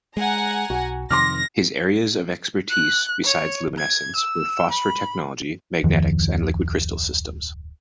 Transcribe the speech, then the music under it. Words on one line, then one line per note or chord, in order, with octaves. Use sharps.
His areas of expertise, besides luminescence, were phosphor technology, magnetics and liquid crystal systems.
G#3 F#5 G#5 A#5
B1 F#4
F2 C3 D#3 C6 D6 F6 A#6
F#6
C#5
G#6
E6
B5
D1 F2 D#3 F3